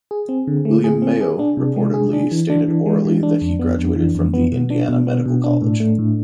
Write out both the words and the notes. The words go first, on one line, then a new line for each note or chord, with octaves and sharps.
William Mayo reportedly stated orally that he graduated from the Indiana Medical College.
G#4
C4
D3
A3
G#4
C4
G#4
D4
C3
G#3
G#4
D4
E3
D4
E3
G#3
E3
D4
F2
B3
F2
E3
F2
B3
B2
D4
B2
B3
B2
D4
A2
A3
A2